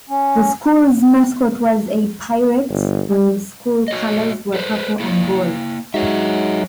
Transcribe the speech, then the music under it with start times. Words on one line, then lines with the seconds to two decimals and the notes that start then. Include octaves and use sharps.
The school's mascot was a pirate and the school colors were purple and gold.
0.09 C#4
2.69 G1
3.09 G3
3.88 F#4 C#5 D#5
4.54 A4 B4 C5
5.00 A#3 E4
5.94 F#3 G#3 D#4 F#4 C#5 E5